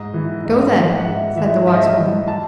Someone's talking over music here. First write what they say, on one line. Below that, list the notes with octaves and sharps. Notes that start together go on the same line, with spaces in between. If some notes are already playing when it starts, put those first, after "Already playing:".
"Go, then," said the wise woman.
Already playing: G#2 D#5
E3
G#2
E3
F#5
G#2 E5
E3 E5
G#2 E5
D#5
E5
E3
A5